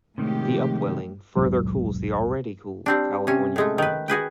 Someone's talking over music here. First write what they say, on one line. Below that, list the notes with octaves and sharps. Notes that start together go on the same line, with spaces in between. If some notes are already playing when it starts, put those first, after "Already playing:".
The upwelling further cools the already cool California Current.
A2 C3 D#3 F3 G#3 G4
D#1 B1 G#2 F#3
G3 C4 D4
C3 C#4
A2 G#3 A3
D#3 B4
F#4 G#4 B4 G5